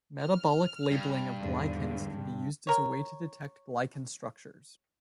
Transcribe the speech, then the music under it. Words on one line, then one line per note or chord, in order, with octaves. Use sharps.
Metabolic labeling of glycans can be used as a way to detect glycan structures.
F6
G2
E2 G#2 D3
A#4 C#5